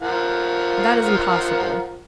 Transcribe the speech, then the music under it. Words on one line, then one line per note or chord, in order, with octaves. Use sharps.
"That is impossible."
F3 A#4 F#5